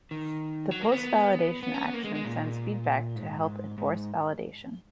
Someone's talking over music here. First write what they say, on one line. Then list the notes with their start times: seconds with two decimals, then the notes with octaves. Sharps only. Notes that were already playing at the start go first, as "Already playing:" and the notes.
The Post-validation action sends feedback to help enforce validation.
0.11 D#3
0.71 F#3
0.82 A#3
0.92 B3
1.63 B3
1.74 C#4
1.84 B3
1.93 A#3
2.04 G#3
2.15 G#3
2.24 A#2
3.15 G#2
3.78 G#2